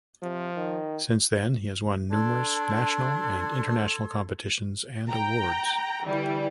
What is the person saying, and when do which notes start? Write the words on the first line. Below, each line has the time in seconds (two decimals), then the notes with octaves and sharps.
Since then he has won numerous national and international competitions and awards.
0.23 C3 F3
0.56 D#3
2.10 D4 A4 C6 G#6
5.09 G5 A#5
6.04 D3 E3 G3